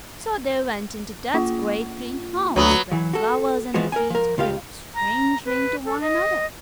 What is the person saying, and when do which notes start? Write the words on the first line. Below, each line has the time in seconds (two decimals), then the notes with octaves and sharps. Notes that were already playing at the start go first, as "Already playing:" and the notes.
So they went into Death's great greenhouse, where flowers and trees grew strangely into one another.
1.34 A#3 F4
2.56 D2 F#3 B3
2.92 E3 F#3
3.13 F#4 A4
3.74 E3 F3 G#3 B3 F#4
3.92 A#4 G#5
4.10 F3 A#4
4.38 C#2 F4 G4 F5
4.95 A#5
5.45 B4
5.85 A4
6.01 D#5